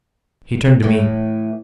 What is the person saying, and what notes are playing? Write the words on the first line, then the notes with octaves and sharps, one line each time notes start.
He turned to me.
A2 E3